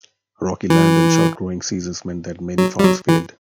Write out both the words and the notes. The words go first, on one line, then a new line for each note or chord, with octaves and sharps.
Rocky land and short growing seasons meant that many farms failed.
E3
F#3
G3
F#3
E3